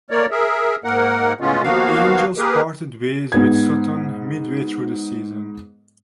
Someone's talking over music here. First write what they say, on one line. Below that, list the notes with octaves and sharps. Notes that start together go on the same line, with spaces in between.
The Angels parted ways with Sutton midway through the season.
A3 A#3 A#4 C#5 D5
G#4 A#4 E5
G#2 A#3 A#4 F#5
A2 C#3 G#3 B3 C#4 F4
D#2 F3 A#3 B3 F#4 F5
A#3 G4 G#4 A#4 B4
G#2 B3 G#6